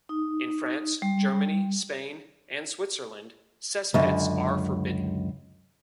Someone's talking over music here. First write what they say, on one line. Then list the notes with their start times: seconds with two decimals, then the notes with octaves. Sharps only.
In France, Germany, Spain and Switzerland, cesspits are forbidden.
0.09 D#4
1.02 G3
3.94 C#2 F#2 D3